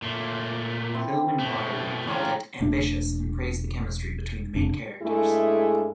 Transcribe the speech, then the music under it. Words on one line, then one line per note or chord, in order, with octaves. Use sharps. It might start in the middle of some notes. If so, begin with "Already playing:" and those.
Film Inquiry called it "ambitious" and praised the chemistry between the main characters.
A#2 A3
C4 E4 G4
B2 A3
E3 C#4 F4 D5 G5 A#5
E1 A3 D4
F1 C3 D4
G2 G#3 A3 E4 G#4